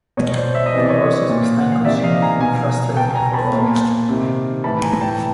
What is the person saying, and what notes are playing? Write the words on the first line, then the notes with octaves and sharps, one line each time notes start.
The process was time consuming and frustrating for all.
B2 C#5 D#5
C5 D5
E5
D#5
C3 E3 D5
C#5 D#5
A#2
F#5
F5
C3 D#3 D5 E5
D#5 F5
G#5 A#5
B2 G#5 A#5
B2 G5 A5
G#5 A#5
A5 B5
A#2
C3 D#3
A2 E3 A5 B5
G#5 A#5
G5 A5